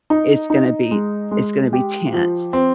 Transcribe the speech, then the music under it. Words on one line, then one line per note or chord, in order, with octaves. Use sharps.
it's gonna be it's gonna be tense,
D#4
D#4
G#3
G#3
G4
F3
C4